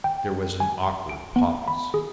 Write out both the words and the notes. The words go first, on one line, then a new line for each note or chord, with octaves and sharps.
There was an awkward pause.
G5
G#5
D7
B3
B5
G#4